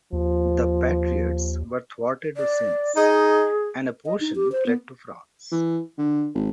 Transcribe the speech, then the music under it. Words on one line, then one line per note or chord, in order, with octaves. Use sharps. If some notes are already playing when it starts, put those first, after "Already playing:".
The Patriots were thwarted since, and a portion fled to France.
D#2 F3
D5
D#4 G#4 D#5
D#5
D#4
G4
C5
B3
E3
D3
G#1